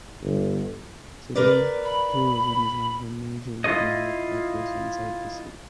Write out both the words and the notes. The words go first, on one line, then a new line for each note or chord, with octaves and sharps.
Today, tourism is one of the major economic factors inside the city.
G1
A#4 B4 D5
B5
E4 F4 A4 C#5 D#5